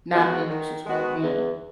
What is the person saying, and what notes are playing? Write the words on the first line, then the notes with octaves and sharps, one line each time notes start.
not a user's well-being.
G#3 B3 D#4 F#4
D#3
G#3 B3 D#4 F#4
E2